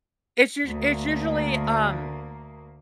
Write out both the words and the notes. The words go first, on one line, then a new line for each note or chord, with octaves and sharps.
it's usu it's usually, um,
D2 A#3